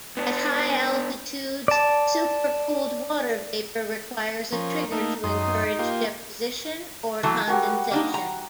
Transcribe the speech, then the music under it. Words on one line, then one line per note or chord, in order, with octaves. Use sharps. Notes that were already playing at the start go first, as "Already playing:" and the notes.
At high altitudes, supercooled water vapor requires a trigger to encourage deposition or condensation.
B3 D4
D5 A5
F3 C#4 A#4
A3 A#3 D#4
F#2 D#4 C6 D#6
A#3 F4 G4
E3 F#3 A3 A4
G3 F#4 A#4 G#5
A#3 D4 D#4
A#5